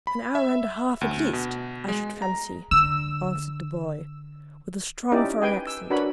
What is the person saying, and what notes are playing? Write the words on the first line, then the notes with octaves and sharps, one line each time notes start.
"An hour and a half at least, I should fancy," answered the boy, with a strong foreign accent.
B5
E5
D2
B2
G#3
A#5
D3 E6
C#4 D#4 E4 G4 D5
B4 G5 G#5
E6
D4 F#4 A#4 B4 C#5 B5